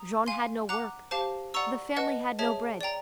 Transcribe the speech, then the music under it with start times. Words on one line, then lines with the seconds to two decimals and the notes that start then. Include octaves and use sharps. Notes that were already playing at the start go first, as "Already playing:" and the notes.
Jean had no work. The family had no bread.
Already playing: A#5 D#6
0.26 F5 G#5 C6
0.69 F#5 A#5 D6 F#6
1.11 G4 C5 F5 A5
1.54 D5 F#5 A#5 C#6 E6
1.97 B4 D#5 F#5 A5
2.39 G#4 C#5 E5 A5
2.81 D5 G5 A#5